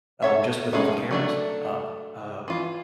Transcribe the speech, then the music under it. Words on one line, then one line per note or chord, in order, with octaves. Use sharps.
Um, just with all the cameras up, uh,
A4 C#5 E5
F#3 G#3 C#4 D#4
F#3 A3 D4
E3 F4